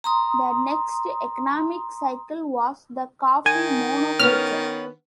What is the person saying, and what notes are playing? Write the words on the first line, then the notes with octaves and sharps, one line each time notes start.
The next economic cycle was the coffee monoculture.
A#5 C6 D#6
D#3 G#5
B3 C#4 F6